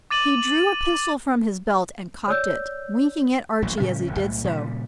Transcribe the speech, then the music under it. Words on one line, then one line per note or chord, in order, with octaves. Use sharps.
He drew a pistol from his belt and cocked it, winking at Archy as he did so.
D6 A6 D#7 F#7
C#5 D5 E6 G6
D#1 A1 A#2 F#3
A2 C#3 G3 C#4
D1 G1 D2
B1 A2
A#2 C#3 G3